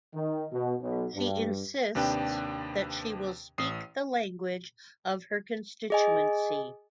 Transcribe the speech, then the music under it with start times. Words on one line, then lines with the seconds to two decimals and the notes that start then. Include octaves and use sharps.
She insists that she will speak the language of her constituency.
0.15 D#3
0.53 B2
0.81 B1
1.15 G2
1.95 D#2 C3 D4 B4 G5
3.58 A1 D#6 C7
5.90 G#4 D#5 G#5